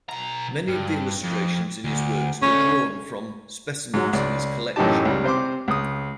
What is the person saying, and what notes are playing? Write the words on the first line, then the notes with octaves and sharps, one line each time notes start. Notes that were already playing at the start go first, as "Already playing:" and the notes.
Many of the illustrations in his works were drawn from specimens in his collection.
B2 A#5
G2
F2
D2
D2 A3 C#4
G#2 F#3
C#2 D5
F#2 A2 E3 D#4 G4 A5
C#2 G3
C3 C5 C6 D6
C#2 D#6